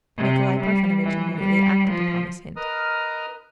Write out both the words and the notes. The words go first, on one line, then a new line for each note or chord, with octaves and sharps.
Nikolay Parfenovitch immediately acted upon this hint.
C3
G3
E3
G3
F3
A#4 B4 D#5 A#5 D#6 F6